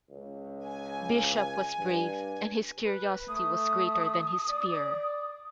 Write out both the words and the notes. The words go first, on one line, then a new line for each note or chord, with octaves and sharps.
Bishop was brave and his curiosity was greater than his fear.
C#2
G#5
G2
B4
A3 D#6
D5